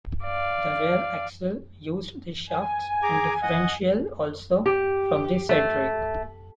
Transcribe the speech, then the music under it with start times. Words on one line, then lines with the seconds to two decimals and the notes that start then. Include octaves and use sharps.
The rear axle used the shafts and differential also from the Cedric.
0.24 D5 F5
2.51 G#5
3.03 G#4 A#5 D6
3.42 D#5 F#5 D#6
4.66 G4
5.49 A3